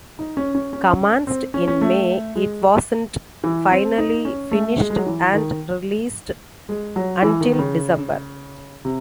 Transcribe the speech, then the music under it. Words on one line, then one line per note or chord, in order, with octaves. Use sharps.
Commenced in May it wasn't finally finished and released until December.
D#4
C#4
C#4
C#4
C4
C#4
C#4
A3
G#3
E3
C4
D#4
C#4
A3
G#3
G#3
F#3
E3
D#3
G#3
F#3
E3
D#3
D#3
C#3
C3